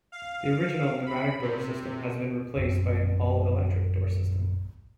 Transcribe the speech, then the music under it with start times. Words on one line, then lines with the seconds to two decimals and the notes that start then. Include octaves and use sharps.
The original pneumatic door system has been replaced by an all-electric door system.
0.12 F5
1.06 B5
1.42 C3
2.56 A#1 F#2 D#3 C4